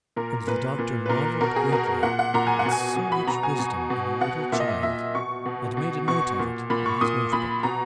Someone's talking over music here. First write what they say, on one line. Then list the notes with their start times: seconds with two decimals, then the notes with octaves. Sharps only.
And the doctor marvelled greatly at so much wisdom in a little child, and made a note of it in his note-book.
0.16 A#2 A#4
0.47 A#2 B4
0.79 A#2
1.06 B4
1.09 A#2 A#4
1.41 B2 A#4
1.56 G#4
1.72 B2 A#4
2.03 A#2 F#5
2.19 F#5
2.34 A#2 A#5
2.47 G#5
2.59 F#5
2.65 B2
2.71 G#5
2.96 B2
3.12 B5
3.27 B2 A#5
3.43 G#5
3.59 B2
3.90 B2
4.21 B2 F#5
4.52 A#2 E5
4.60 D#5
4.68 E5
4.83 A#2 E5
5.15 B2 C#6
5.46 B2
5.77 B2
6.08 B2 C#6
6.39 A#2
6.70 A#2 B5
6.86 C#6
7.01 A#2 D#6
7.33 A#2 B5
7.63 B2 A#5